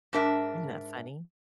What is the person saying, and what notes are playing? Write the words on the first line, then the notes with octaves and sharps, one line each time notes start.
Isn't that funny?
G#2 D4 A#4 E5